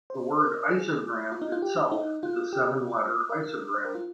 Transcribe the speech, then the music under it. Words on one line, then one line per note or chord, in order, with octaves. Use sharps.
The word "isogram" itself is a seven-letter isogram.
C5
A#4
G#4
F4
D#4
F4
G4
D#4
D#4
F4
G4
A#4
C5
A#4
F4